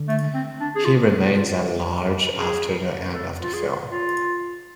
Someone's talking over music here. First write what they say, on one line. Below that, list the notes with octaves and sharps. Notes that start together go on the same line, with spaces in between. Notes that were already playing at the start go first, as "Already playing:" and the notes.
He remains at large after the end of the film.
Already playing: D3
A3
C4
D4
G#4
F4
G#4
F4
G#4
A4
F4
G#4
F4